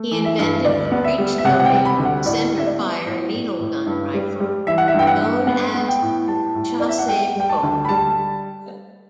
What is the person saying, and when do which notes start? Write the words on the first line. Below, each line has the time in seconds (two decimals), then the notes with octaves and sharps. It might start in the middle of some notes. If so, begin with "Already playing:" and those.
He invented the breech-loading, center-fire needle gun rifle known as the Chassepot.
Already playing: A3
0.11 E3
0.25 E5
0.39 G2
0.65 D2 D5
0.92 B3
1.04 E5
1.18 G3
1.38 E5
1.45 C3 F#5
1.60 F#5
1.65 G5
1.72 G3
1.85 B5
1.98 D2
2.05 F#5
2.25 A2 D5
2.52 G3
2.58 E5
2.66 D5
2.79 B3
3.06 A2
3.33 A2
3.59 A2
3.86 G2
4.14 G3
4.40 G3
4.67 E3 E5
4.78 F#5
4.88 E5
4.94 G2 G5
5.07 F#5
5.20 G2
5.47 B3 F#5
5.74 B3
5.88 G5
6.02 A2
6.28 G3 A5
6.55 A2
6.80 B3 D5
6.89 E5
6.99 F#5
7.08 G3 G5
7.36 G3 G5
7.49 A5
7.63 D2
7.85 B5
7.89 G3 A5